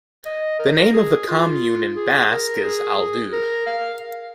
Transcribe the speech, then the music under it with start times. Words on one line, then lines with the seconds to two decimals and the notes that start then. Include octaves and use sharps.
The name of the commune in Basque is "Aldude".
0.25 D#5
0.59 A#4
0.93 G#4
1.28 F4
1.96 G#4
2.30 A#4
2.64 G#4
3.33 A#4
3.66 F5